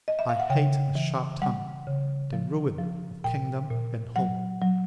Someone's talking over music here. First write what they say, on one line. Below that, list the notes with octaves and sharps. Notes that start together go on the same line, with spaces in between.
I hate a sharp tongue, the ruin of kingdom and home.
D#5
E5
F5
F#5
C#3 G5
E3
G3 F#5
C#3
F3
F3
A#2 G5
A#2
F#3 F#5
F#3